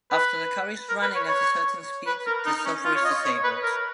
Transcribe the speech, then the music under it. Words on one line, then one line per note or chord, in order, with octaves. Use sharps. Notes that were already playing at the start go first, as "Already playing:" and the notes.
After the car is running at a certain speed, the software is disabled.
B4
A#4
B4
C#5
C#5
B4
A#4
D#4
C#4
F4
C#5
D#5
C#5
B4
A#4